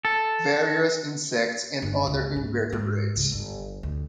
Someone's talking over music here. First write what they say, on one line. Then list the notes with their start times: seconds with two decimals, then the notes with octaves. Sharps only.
Various insects and other invertebrates.
0.05 A4
1.82 G1
2.07 C#2
2.36 G#2
2.73 G#2
3.16 C#2
3.32 G1
3.83 D2